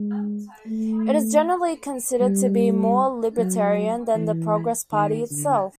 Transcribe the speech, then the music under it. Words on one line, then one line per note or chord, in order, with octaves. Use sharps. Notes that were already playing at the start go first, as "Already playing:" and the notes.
It is generally considered to be more libertarian than the Progress Party itself.
Already playing: G#3
A3
G3
F#3
E3
D#3
D3